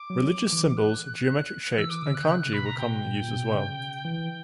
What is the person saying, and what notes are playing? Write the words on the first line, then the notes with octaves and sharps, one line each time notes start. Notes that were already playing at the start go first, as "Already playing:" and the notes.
Religious symbols, geometric shapes and kanji were commonly used as well.
Already playing: D6
F#3
E3
F#6
E3 E6
D6
D3 E6
F#6
G6
C#3 F#6
C#3 F#6
B2 B5
A#5
B2 G5
A#2
A#2
B2
C#3
E3